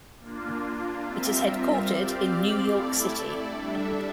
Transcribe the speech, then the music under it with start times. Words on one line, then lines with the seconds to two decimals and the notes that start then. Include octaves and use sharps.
It is headquartered in New York City.
0.19 A#3 D4 F4
1.02 G3 C4 F4 A#4 E5
1.84 C4 G4 D5 F5
2.67 A3 E4 A4 D5
3.49 G3 D4 A4 E5